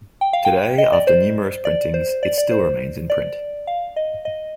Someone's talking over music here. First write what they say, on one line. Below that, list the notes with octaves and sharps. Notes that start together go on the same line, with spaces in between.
Today after numerous printings it still remains in print.
G5
F5
G5
D#5
D5
C5
D5
C5
D5
D5
C5
D5
F5
D#5
D#5